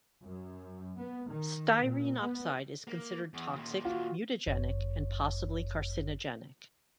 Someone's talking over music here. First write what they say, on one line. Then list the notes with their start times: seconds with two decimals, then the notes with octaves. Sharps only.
Styrene oxide is considered toxic, mutagenic, and possibly carcinogenic.
0.22 F#2
0.98 B3
1.28 D#3
1.85 A#2
2.19 B3
2.88 A#3
3.34 E2
3.55 D#2 A#2
3.85 F4 F#4
4.47 G1 F#2 C#5